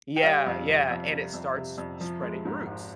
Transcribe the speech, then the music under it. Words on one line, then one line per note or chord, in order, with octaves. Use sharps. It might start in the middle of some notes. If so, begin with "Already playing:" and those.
Yeah yeah, and it starts spreading roots,
G5
G3 F5
F2
C3
F2
G3
F2
C3
F2
F3
G#3
G#2
G#1